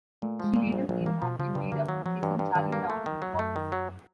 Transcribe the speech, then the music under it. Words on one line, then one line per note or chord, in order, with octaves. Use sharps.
She later came back and made up, kissing Charlie Brown in the process.
A#2 A3
F3 G#3
A#2
G#3
G3
A#1
A#1 F#3
F3
E3 A#3
B2 F3
C#3 F3
G2 C#3
D3 A#3
D#3 F#3
F3 F#3
G2 E3
G2
G2 D#3
A#3
A3
D#3
F#3
F#2
A3
D#3
F#3